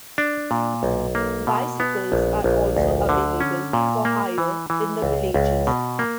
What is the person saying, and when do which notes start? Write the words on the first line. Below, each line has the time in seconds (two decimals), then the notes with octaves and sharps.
Bicycles are also available for hire in the villages.
0.18 D4
0.51 A#2
0.83 B1
1.15 A#3
1.47 B2
1.80 B3
2.12 A#1
2.44 A#1
2.77 D2
3.09 D3
3.40 C#4
3.73 A#2
4.05 A#3
4.38 E3
4.70 E3
5.02 C#2
5.34 C#2
5.67 B2
5.99 A#3